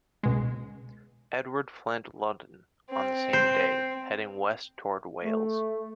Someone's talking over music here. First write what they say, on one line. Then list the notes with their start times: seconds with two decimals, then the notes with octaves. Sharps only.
Edward fled London on the same day, heading west toward Wales.
0.23 C#2 B2 G#3
2.90 C4
3.33 C5
5.23 A3